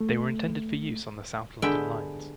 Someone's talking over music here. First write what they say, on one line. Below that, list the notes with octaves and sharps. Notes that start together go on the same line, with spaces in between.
They were intended for use on the South London lines.
A3
D3 G#3 B3 G4 E5 G5